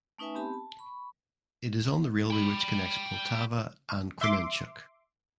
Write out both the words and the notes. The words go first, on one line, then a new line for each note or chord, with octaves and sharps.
It is on the railway which connects Poltava and Kremenchuk.
A3 C#4 D#4 B4 E5 G#5
B3 C4 G4 A5 B5
A5
B5 C#6
G5 B5
E5 C6 D6